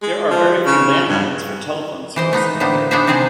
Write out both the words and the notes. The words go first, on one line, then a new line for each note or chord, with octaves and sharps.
There are a very few landlines for telephone service in the area.
G#3
F3
C#3
G2
E3 C5 D#5
A3 B3 D#4
A2 D3 A#3 B3 C5
B3 D4 D#4 G#4 C5 E5
C3 C4 G#4 C5 A5